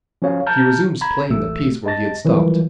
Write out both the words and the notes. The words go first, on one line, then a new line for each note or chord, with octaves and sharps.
He resumes playing the piece where he has stopped.
F3 C#4 F#4 C#5 F5
A5 A#5 F6 G6
A#5 B5 G#6
A1 A3 E6
D#5 A5 A6 A#6
D#3 E3 F#3 G3 F4